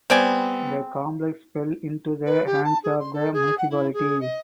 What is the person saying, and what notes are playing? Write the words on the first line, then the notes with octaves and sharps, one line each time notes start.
The complex fell into the hands of the municipality.
G3 B3 C4 D5 G#5
B4
G4
A5
G#4
C6
A4
G#4
F#5
E4
G#4
D#5